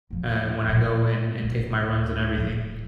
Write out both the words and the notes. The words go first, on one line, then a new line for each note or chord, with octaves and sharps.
uh, when I go, and and take my runs and everything.
D#2 F3
A#2 F3
A#1 B2
D2
D1 F3